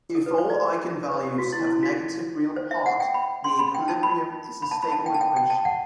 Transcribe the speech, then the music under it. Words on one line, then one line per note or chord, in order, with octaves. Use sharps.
If all eigenvalues have negative real part, the equilibrium is a stable equation.
A4
B4
C5
D5
B4
G4
F#4
E4
E4
F#4
C5
E5
F#5
G5
B5
C6
B5
G5
A5
B5
B5
A5
B5
A5
G5
A5
G5
G5
A5
F#5